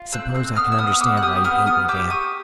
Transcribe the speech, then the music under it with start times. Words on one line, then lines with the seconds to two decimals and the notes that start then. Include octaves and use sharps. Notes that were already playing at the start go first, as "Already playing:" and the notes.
"I suppose I can understand why you hate me, Dan."
Already playing: F4
0.12 C4 E6 F#6
0.34 C4 E6 F#6
0.56 B3 D#6 F6
0.72 E6
0.78 B3 D#6 F6
0.92 F6
1.00 B3 D6 E6
1.17 F#6
1.22 G4 D#6 F6
1.44 B3 D#6 F6
1.66 B3 D#6 F6
1.88 G4 D6 E6
2.10 G4 C#6 D#6